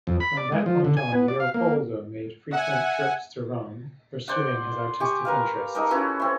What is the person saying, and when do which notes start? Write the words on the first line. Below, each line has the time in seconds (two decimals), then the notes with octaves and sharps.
From that point on Leopoldo made frequent trips to Rome, pursuing his artistic interests.
0.07 F2
0.20 B5
0.37 D5
0.52 G#3
0.66 F3
0.85 D3
0.97 G#5
1.13 B3
1.28 D5
1.40 F5
1.54 A#3
2.52 E5 F#5 G#5
4.28 C5 D5 F#5
5.00 G4 G#5 C#6
5.25 A#4 B4 F5
5.75 D#4 A4 A#4 D5
5.91 C#4 E4 F#4 B4
6.20 C4 E4